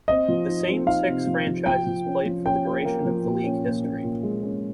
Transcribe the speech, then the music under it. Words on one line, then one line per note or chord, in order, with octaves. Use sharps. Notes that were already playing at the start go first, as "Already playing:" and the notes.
The same six franchises played for the duration of the league history.
C4 D#5
F3
D#4
C4
D#4 F5
C3
F3
F3
F3 G5
F3
C#4
F3
C#4 G5
A#3
A#3
F3
A#2
C#4
A#2
C#4
A#2
G#3
C#4